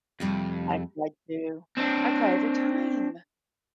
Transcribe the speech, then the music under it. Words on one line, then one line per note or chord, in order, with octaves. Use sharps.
I cry too. I cry every time,
F2 C3 G3 A3
C4 D4